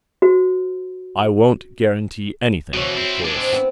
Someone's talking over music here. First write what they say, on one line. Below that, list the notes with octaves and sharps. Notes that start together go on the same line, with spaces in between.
"I won't guarantee anything, of course...."
F#4 C5
B2 E3 F#4 C#5
C4 E4
G#3 D4
C4
B3 C4 E4